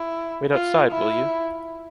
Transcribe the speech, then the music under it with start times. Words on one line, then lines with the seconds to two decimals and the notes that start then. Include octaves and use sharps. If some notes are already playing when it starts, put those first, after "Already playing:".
Wait outside, will you.
Already playing: E4
0.54 F4
0.91 E4